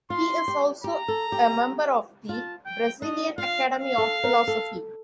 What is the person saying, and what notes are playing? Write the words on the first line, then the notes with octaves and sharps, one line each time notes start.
He is also a member of the Brazilian Academy of Philosophy.
F4 C6
G4
G4 A#5
A4
G4
F4 A5
G5
D4 D#5
F4 F5
F5
A4
A#4
A4